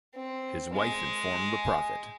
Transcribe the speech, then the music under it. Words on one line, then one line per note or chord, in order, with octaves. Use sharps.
His wife informed the prophet.
C4
G#3